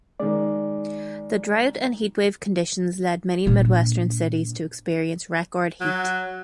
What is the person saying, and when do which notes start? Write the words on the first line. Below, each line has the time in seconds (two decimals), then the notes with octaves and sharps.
The drought and heat wave conditions led many Midwestern cities to experience record heat.
0.20 D#3 G#3 D5
3.46 A#2 D4
5.81 F#3